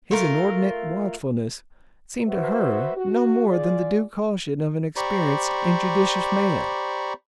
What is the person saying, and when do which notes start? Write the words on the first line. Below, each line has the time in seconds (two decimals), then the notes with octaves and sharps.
His inordinate watchfulness seemed to her no more than the due caution of an experienced and judicious man.
0.11 A3 F4 A#4
2.27 F#4 B4 C5 E5
2.96 F#4
3.47 F4 G#4 D5
4.96 G4 C5 D5 A#5 B5 C#6